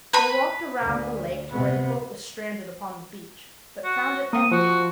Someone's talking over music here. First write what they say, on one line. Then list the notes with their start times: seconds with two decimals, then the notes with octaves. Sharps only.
They walked around the lake to where the boat was stranded upon the beach, but found it empty.
0.13 B4 B5
0.82 D2
1.50 C3 B3
3.84 F#4
4.33 A#3 D#6
4.51 F3 F#4